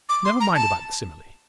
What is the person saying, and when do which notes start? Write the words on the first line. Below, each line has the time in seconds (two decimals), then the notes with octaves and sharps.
Never mind about the simile.
0.09 D6
0.25 C6
0.40 A#5
0.55 A5